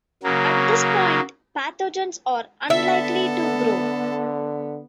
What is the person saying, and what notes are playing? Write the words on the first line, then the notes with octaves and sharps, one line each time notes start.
At this point pathogens are unlikely to grow.
C#3 F#3 A#3
D3 B3 A4 E5